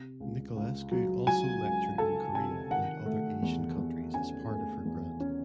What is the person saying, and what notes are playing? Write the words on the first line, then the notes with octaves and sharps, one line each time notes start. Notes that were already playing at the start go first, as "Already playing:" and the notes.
Nicolescu also lectured in Korea and other Asian countries as part of her grant.
Already playing: C3
C#2
C#2
F#3
F#3 G#5
C#2
C#2 A4 A5
C3 G#5
D#3 F#5
A3
E2
E2
C#4 G#5
A3
E2
C#4